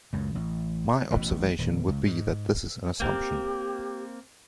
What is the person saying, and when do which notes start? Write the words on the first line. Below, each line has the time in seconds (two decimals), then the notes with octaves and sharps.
My observation would be that this is an assumption.
0.13 C#2 F#2
0.35 A1
1.11 A1 B2
1.59 D#1
1.88 C#2
2.06 G#2
3.00 A#3 C4 G4 A#4